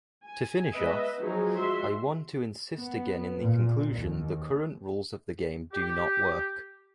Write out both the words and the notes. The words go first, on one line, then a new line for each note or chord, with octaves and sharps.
To finish off, I want to insist again in the conclusion: the current rules of the game do not work.
G#5
G#3 B3 B4 D#5 E5
F3 F#3 D#4 G#4
G#3 F#4 E5 C6
B3
A#2
D#2
G4